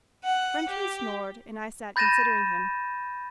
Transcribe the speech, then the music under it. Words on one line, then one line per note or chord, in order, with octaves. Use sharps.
The Frenchman snored, and I sat considering him.
F#5
G4
B5 G6 A6 A#6 D#7 E7